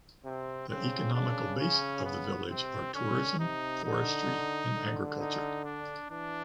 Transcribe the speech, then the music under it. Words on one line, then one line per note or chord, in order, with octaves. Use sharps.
The economical base of the village are tourism, forestry and agriculture.
C3 C4
C#3 C4
C#3 D4
C#4
B3
C3 C4
D3 C#4
C3 D#4
D3 D#4
D3
D#4
D4
E3 D4